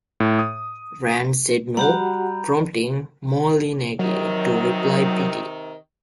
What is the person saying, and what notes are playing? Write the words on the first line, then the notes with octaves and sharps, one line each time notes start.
Rand said no, prompting Moholy-Nagy to reply Pity.
A2
D#6
G3 F#4 G4 F#5 A#5 B5 G6
C3 D#3 F#3